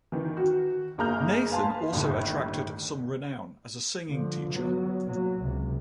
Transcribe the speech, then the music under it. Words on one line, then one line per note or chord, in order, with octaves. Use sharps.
Nathan also attracted some renown as a singing teacher.
D#3 E3
F#4
G1 A#3 G#4 A#5 F6 G6
B4 F5 G#5 A5 C6
G1 D#2 A2 D#3
D3 F3
F#3 B3
A#2 F#3
C#2 C3